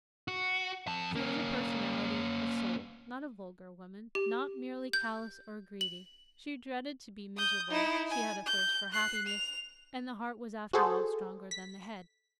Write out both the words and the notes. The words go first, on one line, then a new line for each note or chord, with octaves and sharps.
She was a personality, a soul--not a vulgar woman--not merely callous or greedy. She dreaded to be miserable; she had a thirst for happiness, and the heart was, after all, stronger than the head.
F#4
F2 A5
A#3 C#4
G4
G6
F#7
D#6 G6
D#4 E4
G#5
G6
F#6 C7
F7
F#4 G#4 A4 C5
B6